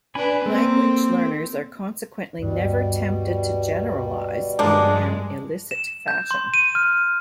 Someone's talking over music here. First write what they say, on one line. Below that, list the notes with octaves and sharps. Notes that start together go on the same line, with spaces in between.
Language learners are consequently never tempted to generalize in an illicit fashion.
D4 B4 G#5 B5
A#3 C4 A4 A#4
D2 G2 B2 G3
G2 F3 G#3 A#3 D4
E7
G6
C6
D#7
F6